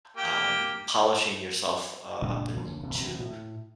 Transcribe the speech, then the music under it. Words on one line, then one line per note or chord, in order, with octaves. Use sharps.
um, polishing yourself, uh, up into
A#3 G4 G5
F#1 C#2 A#2 D4
E2 D3 A#3 C#4
D#1 C3
D2 C3 E3 F#3
A2